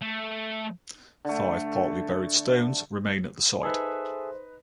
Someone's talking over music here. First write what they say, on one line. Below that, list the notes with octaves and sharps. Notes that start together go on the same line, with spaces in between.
Five partly buried stones remain at the site.
A3
D3 A3
D#4 G#4 A4 B4 C5 E5